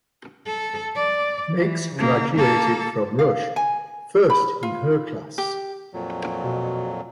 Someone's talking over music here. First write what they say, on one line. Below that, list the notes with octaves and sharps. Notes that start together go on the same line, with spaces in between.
Meigs graduated from Rush first in her class.
A4
D5
E3
C#3 A#3
A#3 A4
F5
G#5
B5
F4
G4
F2 A#2 F#3
B2